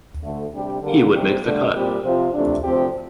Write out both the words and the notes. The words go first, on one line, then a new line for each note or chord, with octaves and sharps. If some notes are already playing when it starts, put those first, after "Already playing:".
He would make the cut.
D2 D3 A3
C3 G3 D4 G4
D3 G3 A#3
E2 C3 G3 C4 G4
G2 D3 A3 D4
A#2 G3 C4 G4
C3 F3 C4 F4
F2 C3 E3 A3 D4
D2 C3 F3 C4 G4